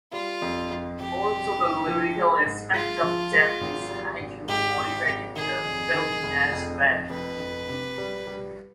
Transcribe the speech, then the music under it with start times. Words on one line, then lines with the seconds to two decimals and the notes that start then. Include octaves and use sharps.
Also the lyrical aspect of Japanese Haiku motivated the fim as well.
0.12 G3 F4
0.42 F2
0.71 F2
1.00 F2 G4
1.29 G3
1.58 G1
1.88 F3
2.16 G#3
2.46 G#2
2.74 G#3 F4
3.03 F3
3.32 G#3
3.61 G#1
3.90 G3
4.20 G#1
4.48 G#2 G4
4.77 G#1
5.07 G#1
5.36 D#3 G#4
5.64 F2
5.94 D#3
6.23 F1
6.52 F2
6.81 F1
7.10 F2 B4
7.40 F2
7.69 C3
7.98 G3
8.27 G3